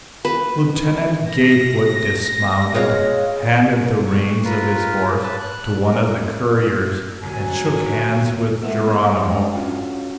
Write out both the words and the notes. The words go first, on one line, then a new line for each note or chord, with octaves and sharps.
Lieutenant Gatewood dismounted, handed the reins of his horse to one of the couriers, and shook hands with Geronimo.
B4
A#6
G#3 C#5 F5
C#6
F4 A#4 B4
B4 A5
F#6
A#4
D2 G#2 C3 F#3 G#5
G#3 B3 E5
G3 G#3 D4
C#4 F4 F#4